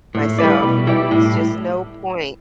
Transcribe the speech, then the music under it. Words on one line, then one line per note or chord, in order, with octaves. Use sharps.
myself, and it's just no point.
A2
G3 E4 B4 D5
B2
G3 E4 G4 D5
A2